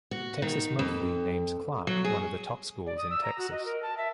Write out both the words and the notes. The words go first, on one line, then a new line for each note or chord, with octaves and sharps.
"Texas Monthly" names Clark one of the top schools in Texas.
F#4
D#3
F2
F#3
G#4
D5
D#6
E6
A#5
F#4
D#5
A#4
A5
E5